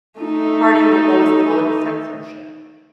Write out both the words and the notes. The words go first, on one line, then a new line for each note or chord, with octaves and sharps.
party will always call it censorship
A3 D#4